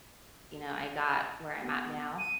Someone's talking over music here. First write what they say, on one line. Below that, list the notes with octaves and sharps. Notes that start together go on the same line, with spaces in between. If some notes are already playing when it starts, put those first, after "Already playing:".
you know, I got where I'm at now,
B3
D#7